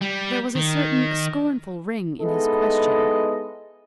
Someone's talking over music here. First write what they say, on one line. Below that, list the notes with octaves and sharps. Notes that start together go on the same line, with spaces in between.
There was a certain scornful ring in his question.
G3
D#3
G#3 B3 D#4 E4 A4 D#5